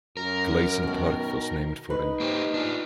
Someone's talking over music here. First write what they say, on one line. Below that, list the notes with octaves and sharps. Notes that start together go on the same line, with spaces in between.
Gleason Park was named for him.
F#2 A#4
B2 D#3
D#4 B4
A#3 G4 C5
D4 F4